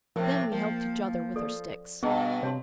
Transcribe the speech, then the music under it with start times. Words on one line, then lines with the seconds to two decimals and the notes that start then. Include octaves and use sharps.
Then we helped each other with our sticks.
0.16 A2 C3 F3 A#4
0.52 F3 A#3
1.36 A4 D5
2.03 G2 B2 B3 G#4 D#5 A#5
2.43 C3 C#5 A5 C6